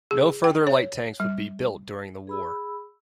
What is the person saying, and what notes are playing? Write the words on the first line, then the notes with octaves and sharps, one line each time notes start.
No further light tanks would be built during the war.
G#4
G5
C#5
G3
G#4 B5 E6